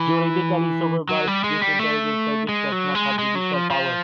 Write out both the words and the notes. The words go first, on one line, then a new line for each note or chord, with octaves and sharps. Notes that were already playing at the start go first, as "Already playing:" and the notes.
Juridically supervised, this intelligence service does not have judicial power.
Already playing: E3
F#3
G3
G#3
G3
A3
G#3
F#3
G#3
G#3
F#3
F3
F3